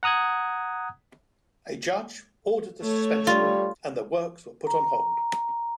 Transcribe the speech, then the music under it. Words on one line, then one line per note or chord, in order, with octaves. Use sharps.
A judge ordered the suspension and the works were put on hold.
F#5 A#5 D#6 F#6 G#6
A3 C#5
G3 F4
A#5